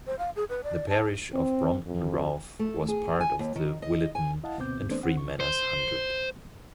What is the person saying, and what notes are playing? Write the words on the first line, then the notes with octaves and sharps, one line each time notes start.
The parish of Brompton Ralph was part of the Williton and Freemanners Hundred.
C5
F5
G#4
B4
D5
A5
C4
F2
A3
G#4
G#5
D#2
D#3
D#5
G#5
E4 D#5 F5 F#5 A5
D2 B2 B3 C4 D6 G6
E3 A3 B3 C4 D4 C5
C4 F#5
D3 C#6
C5